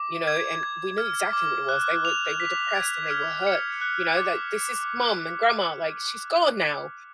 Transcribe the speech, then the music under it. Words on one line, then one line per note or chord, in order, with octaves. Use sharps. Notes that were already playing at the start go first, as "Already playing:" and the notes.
you know, and we knew exactly what it was. They were they were depressed, and they were hurt, you know? That "This is mom and grandma," like, "She's gone now,
Already playing: D6
G#6
G#6
F6
D6
F#6
F7
B6
G#6
F6
C#7
F#6
D6